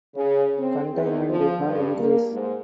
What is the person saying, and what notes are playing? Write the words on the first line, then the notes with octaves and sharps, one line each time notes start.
Containment did not increase.
C#3
C4
E2
F3
G2
A#3
G#2